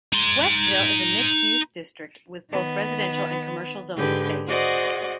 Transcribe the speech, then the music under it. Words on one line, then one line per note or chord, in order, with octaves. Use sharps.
Westville is a mixed-use district, with both residential and commercial zoning space.
D#4 C6
D#3 B3
G#2 D3 G4 G#4 B4 G6
F#4 G#4 C5 D5 D#5 F#5